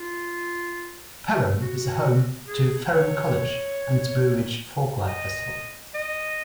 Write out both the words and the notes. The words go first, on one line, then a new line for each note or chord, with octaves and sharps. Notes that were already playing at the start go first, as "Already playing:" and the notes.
Ferrum is home to Ferrum College and its Blue Ridge Folklife Festival.
Already playing: F4
F#4
G#4
C#5
D#5
D#5